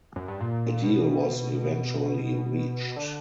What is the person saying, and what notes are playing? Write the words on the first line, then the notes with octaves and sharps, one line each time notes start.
A deal was eventually reached.
F#2
G2
A#2
B2
D3